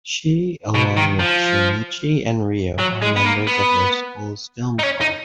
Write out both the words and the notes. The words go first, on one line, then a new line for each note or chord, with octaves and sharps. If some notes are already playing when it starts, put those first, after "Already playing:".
She along with Shunichi and Riho are members of their school's film club.
B2
D#3
F3
F#3
G#3
B3
A#3
B3
D#4
C#4
D#4